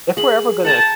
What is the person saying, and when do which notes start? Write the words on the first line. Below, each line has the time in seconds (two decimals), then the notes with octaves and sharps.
if we're ever gonna
0.17 G#4 B5
0.64 F#5 G5 A5 A#5